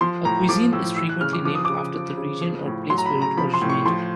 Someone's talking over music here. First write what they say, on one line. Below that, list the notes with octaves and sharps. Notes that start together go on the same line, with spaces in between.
A cuisine is frequently named after the region or place where it originated.
F3 C6
A2 A#5
F3 D6
A2 E6
E3 E6
F#6
C#3 F6
D6
F3 D6
D#6
C#3 D6
F3
C#3
F3
A2
F#3 C6
A#5
B5
C#3
A#5
F3 B5
C6
A2
C#6
F3 C6